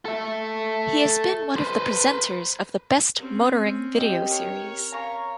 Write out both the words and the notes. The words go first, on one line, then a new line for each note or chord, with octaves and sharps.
He has been one of the presenters of the "Best Motoring" video series.
A4 E5
B4 C5
C4 C#4
G4 D#5
A#4 C#5
C#4 F5 A#5